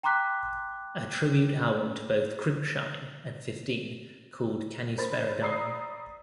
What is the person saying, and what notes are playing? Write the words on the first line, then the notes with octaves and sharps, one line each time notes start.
A tribute album to both Crimpshrine and Fifteen, called Can You Spare a Dime?
G5 A#5 C6 D6 F#6 B6
A#4 C5 B5 A6
D5 A#5 B5 D#6 E6 C7